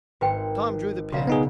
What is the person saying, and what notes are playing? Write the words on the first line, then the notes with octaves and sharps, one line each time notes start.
Tom drew the pin.
G#1 F#4 B4 G5
B1 C#3 F#4 D5 F5
B3 D#4 G#4